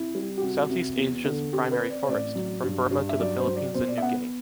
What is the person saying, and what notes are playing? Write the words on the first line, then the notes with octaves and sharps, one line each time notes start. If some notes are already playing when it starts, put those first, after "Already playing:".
Southeast Asia's primary forest, from Burma to the Philippines and New Guinea.
Already playing: C3 E4
G3
G4
C2 F#4
C2
E2
D3
C4 G4
B4
C4
D5
C5
A1 D5
F#3
G2
G2
E5
F#3 D5
C5
F#3
D5
B2 C5
D5
E5
B3 F#5